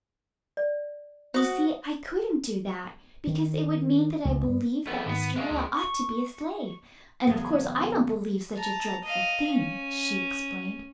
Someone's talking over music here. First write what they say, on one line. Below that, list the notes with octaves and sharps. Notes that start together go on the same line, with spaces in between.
"You see I couldn't do that, because it would mean that I believed that Estralla ought to be a slave, and of course I don't believe such a dreadful thing," she explained.
D5
F#4 C5 D#6
D#3
C#2
G2
F2 A3 B3 G#4 A#4 F#5
G#2 D#3 B3
A#2 G#3 E5 F5 C#6
D2
C#6
E2 C#3 F#3 B3 A#4
A5 A#5
D#5 F5
C#4